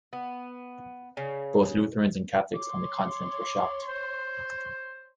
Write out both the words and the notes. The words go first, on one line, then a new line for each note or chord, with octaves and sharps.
Both Lutherans and Catholics on the continent were shocked.
B3
C#3
C#5 C6 D6
C5